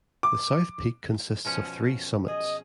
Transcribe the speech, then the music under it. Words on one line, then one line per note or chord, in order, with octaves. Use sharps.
The South peak consists of three summits.
D6
B2 F3 C#4
G#4 D#5